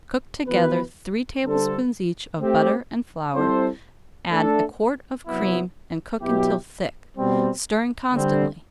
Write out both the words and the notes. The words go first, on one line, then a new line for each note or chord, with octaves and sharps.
Cook together three tablespoonfuls each of butter and flour, add a quart of cream and cook until thick, stirring constantly.
E3 B3 F#4 B4
D3 G3 D4 A4 C5
A3 C4 G4
G3 C4 E4 A4 C5
A3 D4 A4
C3 F#3 B3 E4
B2 F#3 B3 E4 G4
B2 G3 C4
D3 G3 C4